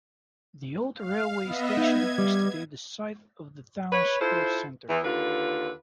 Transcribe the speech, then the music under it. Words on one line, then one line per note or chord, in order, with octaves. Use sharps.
The old railway station is today the site of the town's sports centre.
F5
B3 D#5 E5
D#4 G#6
G3
B4 C#5
E4 F4 A4 C5
E2 E3
D#2 D3 F4 B4